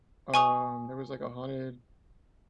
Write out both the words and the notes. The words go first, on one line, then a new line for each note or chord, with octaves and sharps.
um, there was like a haunted
G#5 C#6 D#6